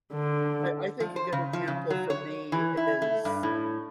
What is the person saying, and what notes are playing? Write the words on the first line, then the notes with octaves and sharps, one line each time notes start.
I I think a good example for me is
D3
F3
C5
C#3
F3
C#3
F#3
C#5
E3
E4
A3
G2
A2